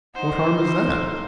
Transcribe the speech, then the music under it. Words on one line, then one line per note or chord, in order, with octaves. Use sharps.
What harm is that?
D#4 C5 F#5
E4
A4